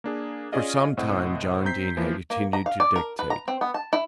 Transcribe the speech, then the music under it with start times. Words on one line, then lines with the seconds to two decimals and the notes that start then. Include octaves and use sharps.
For some time John Dene had continued to dictate.
0.04 A#3 D4 G#4
0.52 C#4 F4 G#4 D5 D#5 F5
0.97 C2 A2 C4 D#5 F#5 D#6
1.64 C4 A#5 G6 B6 C7
1.97 E3 F3 A#3
2.30 A#3
2.53 A#5
2.66 F5
2.80 D5
2.96 A#4
3.19 B4
3.30 A#5
3.48 C4
3.61 B3
3.74 A5
3.93 E4